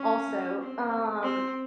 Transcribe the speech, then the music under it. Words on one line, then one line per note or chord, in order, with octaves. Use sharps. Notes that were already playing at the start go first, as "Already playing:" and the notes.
Also, um,
Already playing: C#4
C4
C4